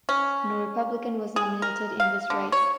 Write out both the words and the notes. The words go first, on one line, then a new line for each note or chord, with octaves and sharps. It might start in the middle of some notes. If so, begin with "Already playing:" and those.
No Republican was nominated in this race.
C#4
G#4
A#4
F5
D3
C#5